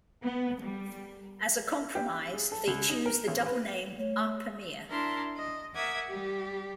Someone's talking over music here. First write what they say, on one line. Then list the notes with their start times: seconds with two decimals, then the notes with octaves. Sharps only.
As a compromise they choose the double name Erpe-Mere.
0.22 B3
0.62 G3
1.95 G4
2.34 G#4
2.52 A4
2.67 C#2
2.90 D#4
3.06 A#4
3.28 A1
3.46 B4
3.98 A3 C#5
4.88 D4 E4 A#4 A5 C6
5.35 D#5
5.74 A#4 E5 F#5 D6 D#6 G#6
6.06 G3 G4